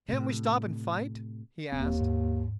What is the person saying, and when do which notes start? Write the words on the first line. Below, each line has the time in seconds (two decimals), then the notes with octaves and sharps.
"Can't we stop and fight?" he asked.
0.08 A2 C3
1.72 D#1 D#2 C4
2.01 G#2